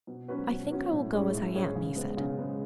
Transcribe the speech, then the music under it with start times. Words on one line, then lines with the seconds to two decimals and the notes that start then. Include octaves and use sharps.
"I think I will go as I am," he said.
0.07 B2
0.28 F#3 C#4 F#4 B4
0.50 B2
0.70 F#3 C#4 F#4 B4
0.91 A2
1.12 G#3 C#4 G#4 C#5
1.33 A2
1.54 G#3 C#4 G#4 C#5
1.75 C#3
1.96 G#3 B3
2.17 C#3
2.37 G#3 B3